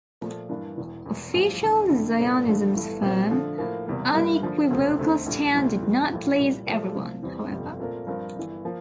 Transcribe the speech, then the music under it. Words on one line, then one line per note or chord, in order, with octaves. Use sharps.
Official Zionism's firm, unequivocal stand did not please every one, however.
A#2 F3 A3
G2 E3 A#3 D4
E1 E2 E3
E1 E2 E3
A1 G2 F3
E2 D3 A3
F1 F2 D3 A3 E4
C2 A#2 A3 C4
A1 G2 D3 F3 A3
G1 G2 E3 A3
A#1 A#2 G3 C4
D3 F3 A3
A2 F3 A#3
E1 E2 C3 G3 A#3
G2 E3 G3 A#3 E4
D3 F3 A#3
E1 D2 C3 F3 C4
D2 D3 A3 C4
A#1 A2 G3 D4
D2 C3 E3 G3
E2 E3 G3
A#1 A2 F3
C2 A#2 G3
A#2 F3 A3
C2 C3 F3
E2 E3 G3 C4
G1 F2 C3 G3
A#2 A3 C4 F4 A#4
G2 F3 C4 F4 A#4
G1 G2 E3
F3 A#3